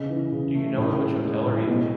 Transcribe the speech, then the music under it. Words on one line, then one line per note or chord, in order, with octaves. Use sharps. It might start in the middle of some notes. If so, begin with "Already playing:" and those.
Do you know in which hotel are you?
Already playing: C#3 D#5
E3
C#3
A3
A2
G#3
G#3
A2
B2